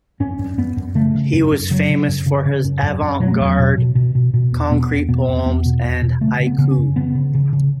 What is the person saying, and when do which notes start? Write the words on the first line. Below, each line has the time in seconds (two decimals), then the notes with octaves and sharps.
He was famous for his avant-garde concrete poems and "haiku".
0.20 F#2 C#4
0.39 F#2
0.57 F#2 B3
0.77 F#2
0.95 C#3 A3
1.15 C#3
1.33 F#2
1.52 F#2
1.70 C#3 F#3
1.89 C#3
2.08 F#2
2.26 C#3
2.45 C#3
2.64 F#2
2.83 F#2
3.02 F#2
3.20 B2 F#3
3.31 A3
3.40 E2 F#3
3.59 B2
3.78 B2
3.95 B2
4.15 B2
4.34 B2
4.52 E2
4.70 B2 B3
4.89 E2
5.09 B2 B3
5.28 E2
5.46 E2 B3
5.66 B2
5.84 E2
6.02 B2
6.21 C#3 A3
6.40 C#3
6.47 B3
6.58 C#3
6.71 C#4
6.78 F#2
6.96 C#3 B3
7.15 C#3
7.35 C#3
7.53 C#3